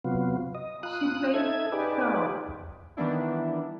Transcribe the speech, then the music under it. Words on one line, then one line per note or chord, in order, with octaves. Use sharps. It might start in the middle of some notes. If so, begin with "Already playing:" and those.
She placed third.
C3 F#3 B3 F4
D#5
F4 D#6 F#6
D#4 A4 E5 G#6
D#4 G4 G#4 B4 D5
D#3 E3 G3 B3 D4 E4